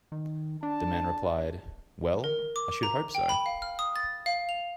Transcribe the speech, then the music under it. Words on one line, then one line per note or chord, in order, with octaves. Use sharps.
The man replied, Well I should hope so.
D#3
D4 A5
A#4
D6
A#5
G5
B5
F5
F6
D#6
A6
F5
F7